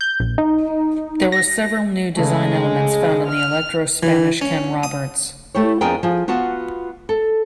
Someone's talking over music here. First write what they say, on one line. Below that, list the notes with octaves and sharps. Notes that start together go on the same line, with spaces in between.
There were several new design elements found on the Electro Spanish Ken Roberts.
G6
A#1
D#4
A#6
C#3 G#3 A3
F6
E3
C#4
D#6
A3 E4 G4 C#5
F2 B3 D4 G#4 A#4 G5
F3 G#4
B3 F4 F#4 F#5 A5
A4